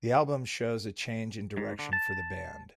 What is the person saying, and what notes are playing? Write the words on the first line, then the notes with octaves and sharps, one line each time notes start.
The album shows a change in direction for the band.
G#2
D3
A5